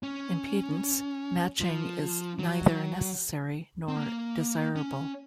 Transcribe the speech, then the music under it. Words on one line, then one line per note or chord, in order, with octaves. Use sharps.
Impedance matching is neither necessary nor desirable.
C#4
F3
F#3
C4
A#3
C#4